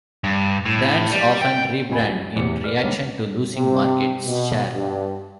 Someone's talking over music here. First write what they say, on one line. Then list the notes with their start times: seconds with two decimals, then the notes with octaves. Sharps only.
Brands often re-brand in reaction to losing market share.
0.24 G2
0.66 A2
1.12 G3
1.41 G5
1.89 F1 D2 F3 D#5 G#5 B5
2.05 F#2
2.36 E2 A2 C3 C#7
2.64 B4 D5 F6
2.83 G#2 D3 G3 A#3 C#4 G4
3.56 C3
4.27 B2
4.74 G2